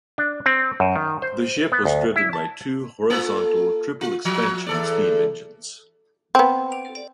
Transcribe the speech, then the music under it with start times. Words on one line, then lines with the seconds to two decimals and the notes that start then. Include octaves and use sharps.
The ship was driven by two horizontal triple expansion steam engines.
0.18 D4
0.46 C4
0.80 F#2
0.96 D#3
1.22 C5
1.72 B3
1.85 D2
2.16 E4
2.33 A5
3.10 A#3 F4 A4
4.01 F4
4.25 F3
4.67 E2 A4 D5
6.35 B3 C4